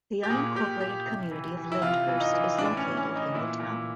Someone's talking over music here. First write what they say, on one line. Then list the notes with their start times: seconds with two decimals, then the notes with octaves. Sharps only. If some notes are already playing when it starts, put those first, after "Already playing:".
The unincorporated community of Lyndhurst is located in the town.
0.23 G4
0.30 A#2 G#4
0.55 A#2 G4
0.80 A#2 G4
1.06 C3
1.31 E3
1.57 E3
1.72 E4
1.82 C3 F4
2.08 E3
2.20 D#4
2.34 E3
2.58 A2 D4
2.77 C#4
2.84 E3
2.97 C#4
3.10 E3
3.15 D#4
3.34 A#2 E4
3.60 A#2